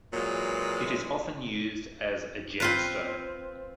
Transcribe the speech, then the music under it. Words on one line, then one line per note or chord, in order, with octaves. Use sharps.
It is often used as a gemstone.
A#2 E3 F#3 G#3
C4 F4 B4